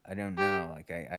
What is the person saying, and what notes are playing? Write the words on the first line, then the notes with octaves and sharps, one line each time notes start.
I don't know, like, I
G4